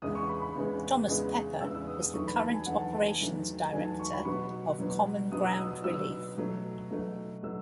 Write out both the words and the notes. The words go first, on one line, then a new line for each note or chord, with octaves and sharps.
Thomas Pepper is the current operations director of Common Ground Relief.
E2 C#3 G#3 B3 D#6
C#6
B5
B5
E2 C#3 G#3 B3
E2 C#3 G#3 B3
E2 C#3 G#3 B3 E6
E6
D#6
D#6
E2 D#3 F#3 A3 C#6
B5
A5
G#5
E2 D#3 F#3 A3 F#5
A5
A5
G#5
E2 D#3 F#3 A3
E2 D#3 F#3 A3 G#5
A5
C#6
B5
B2 F#3 B3 C#6
B2 F#3 B3
B2 F#3 B3 D#6
E6
D#6
D#6
B2 F#3 B3 E6
B2 F#3 A3
B2 F#3 A3
B2 F#3 A3 E6